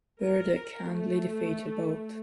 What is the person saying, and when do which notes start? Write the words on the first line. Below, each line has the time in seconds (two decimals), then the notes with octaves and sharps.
Burdick handily defeated both.
0.23 A#4
0.92 A3